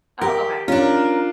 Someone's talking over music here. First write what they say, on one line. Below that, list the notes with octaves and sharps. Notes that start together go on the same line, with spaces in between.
Oh, okay.
G4 A#4
C#4 D4 F4 A#4